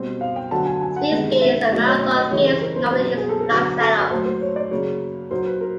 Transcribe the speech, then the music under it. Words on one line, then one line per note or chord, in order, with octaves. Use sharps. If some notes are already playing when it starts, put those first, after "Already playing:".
Speed skaters and marathon skaters normally use flat setups.
Already playing: B2 G3 C4
F5
G5
D3 F#3 B3 A5
G#5
G#5
F#5
C3 D#3 G#3 B3
E5
B2 F#3 A3 D#5
C#5
D#5
D#5
C#3 E3 G3 C#5
C5
A#4
C5
B2 F#3 A#3 C5
G#4
A4
A#4
D3 F#3 B3 B4
A4
B4
A#2 F#3 A3 C5
C5
C#5
D5
C#3 F#3 A#3 C#5
A#2 F#3 A#3 C5
B4
A#4